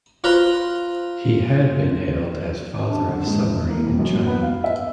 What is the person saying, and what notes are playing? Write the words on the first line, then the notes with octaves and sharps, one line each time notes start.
He had been hailed as "father of submarine in China".
F4 B4 C5 A#5 B5
D4
D3
G#2
F1
A#3
E1
F#2
F#2
B3
F5
E5